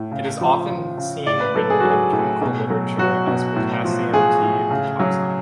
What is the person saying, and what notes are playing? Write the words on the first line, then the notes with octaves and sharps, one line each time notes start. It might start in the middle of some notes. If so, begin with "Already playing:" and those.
It is often seen written in chemical literature as potassium "t"-butoxide.
Already playing: A2
C#3
F3
F3
C#3
A2 D5
B4
F#3 A4
G#4
F#3 F#4
G#4
A2
B2
F#3
F#3 F#4
B2
A2
F3
F3 G#4
A2
C#3
F#3